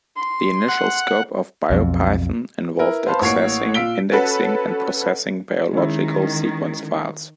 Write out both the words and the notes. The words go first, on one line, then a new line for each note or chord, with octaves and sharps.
The initial scope of Biopython involved accessing, indexing and processing biological sequence files.
C6
F#5
B1 F2
E4 A#4 B4
B4 C5 F5 A5 B5 C6
A1 A#3 C#5 F#5 C7 D7
A#2 F5 E6 B6 D7 G7
C#4 F#4 A4 B4
D#3 G#3 C#4 E4